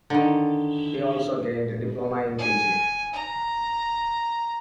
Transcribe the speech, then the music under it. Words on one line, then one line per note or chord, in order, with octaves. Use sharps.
He also gained a diploma in teaching.
D3 D#3
G#5
A#5